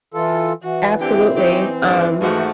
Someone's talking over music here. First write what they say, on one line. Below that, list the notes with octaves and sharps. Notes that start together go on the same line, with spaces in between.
Absolutely. Um,
E3 F4 A4
E3 F#4
D3 C4 G4
F#3 D#4 G4
G#2 F3 D4
G#2 F3 A3 F#4